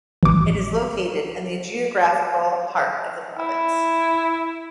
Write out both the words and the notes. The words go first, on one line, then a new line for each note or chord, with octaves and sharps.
It is located in the geographical heart of the province.
A1 D6
E4